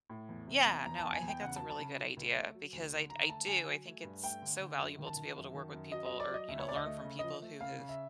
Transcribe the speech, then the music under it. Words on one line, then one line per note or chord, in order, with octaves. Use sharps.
Yeah, no, I think that's a really good idea because I d I do, I think it's so valuable to be able to work with people or, you know, learn from people who have
A2
E2
C3
E2
E2 A#5
E2 A5
G#5
E2
G5
C#3 F#5
F#3 A5
A5
C#3
F#3
C#2
A3
F#3
D2
D3
D3 A#5
A3 A5
D3 G#5
F#3
A3
G2
A3 G5
D3
D3
F#2
D#3
A5
D#3
F#2
D#3
F#2
F#3 D#5
D#5
F#3
D5
F#3 D#5
D2 E5
C#5
D2 D5
D#5
A3
C#3
F3 D#5
A3
C#3 F5
C#3
E5